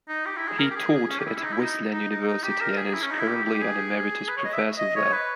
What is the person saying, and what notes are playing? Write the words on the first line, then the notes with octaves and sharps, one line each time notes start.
He taught at Wesleyan University and is currently an emeritus professor there.
D#4
G4
E4
G#4
A#4
G4
G#4
G#4
C#4
G4
E4
E4
D#4
E4
D#4
D#4
D#4
D#4
G4
A#4
G#4
E4
C#4
D#4
E4
G4
G4
G#4
B4
C#5
D#5
E5
D#5
C#5
B4